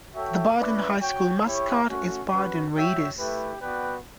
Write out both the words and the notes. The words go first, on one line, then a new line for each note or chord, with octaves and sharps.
The Burden High School mascot is Burden Raiders.
F#4 A4 C#5 E5 G5
C#4 E4 B4 D5
F#4 C#5 G5
E4 G4 C#5 G5
A3 C#4 F#4
C#4 F#4 B4
F#4 C#5 E5 G5
A3 E4 G4 B4
B3 F#4 B4 D5 G5